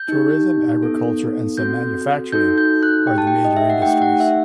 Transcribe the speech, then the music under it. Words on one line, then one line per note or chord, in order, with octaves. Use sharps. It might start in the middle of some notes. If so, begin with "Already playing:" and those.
Tourism, agriculture and some manufacturing are the major industries.
Already playing: G6
D#4 G4
B3 D#4 A4
C4 F#4 A4 G6
D#4 F#4 A4 G6
G6
F#6
D#4 G4 G5
A5
G5
D#5
E5
F#5
A3 D#4 G4 G5
F#5
E5